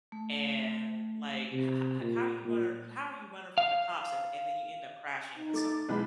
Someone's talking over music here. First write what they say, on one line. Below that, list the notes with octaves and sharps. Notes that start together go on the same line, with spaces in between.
and, like, "Ho ho how are you runnir how are you running from the cops and and then you end up crashing into something?"
A3
C3
A#2
A#2
F5
D#4
A3 D6 A6
B1 E3 G#3 B5